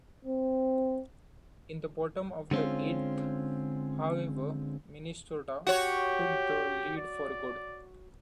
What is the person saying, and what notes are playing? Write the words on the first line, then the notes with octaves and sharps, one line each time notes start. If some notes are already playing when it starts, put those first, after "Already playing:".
In the bottom of the eighth, however, Minnesota took the lead for good.
C4
D3 G#3 C4 C#4 F4
F#4 G4 C#5
D5